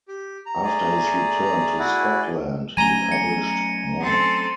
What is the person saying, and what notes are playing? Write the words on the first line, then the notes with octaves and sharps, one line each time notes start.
After his return to Scotland he published more.
G4
A#5
A3 G#4 D5
E4 F#4
F#3 A3 C#4 G#5 A#5 D#7 G7
C#7
C4 A4